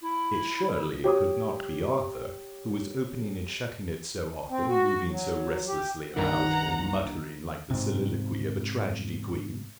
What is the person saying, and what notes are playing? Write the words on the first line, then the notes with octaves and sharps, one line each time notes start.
It surely could not be Arthur, who was opening and shutting it so often, moving so restlessly about, and muttering like the soliloquy of a tragedy-queen!
E4
G4 C#5 D6 D#6
C4
F#4
F#3
G4
C2 G2 D#3 A#3 D#4 F#5 A#5
G#2 C3